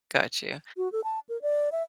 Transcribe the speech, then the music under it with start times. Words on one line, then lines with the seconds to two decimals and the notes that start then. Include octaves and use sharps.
Got you.
0.77 F#4
0.92 A4
1.04 A5
1.29 A#4
1.42 D5
1.72 E5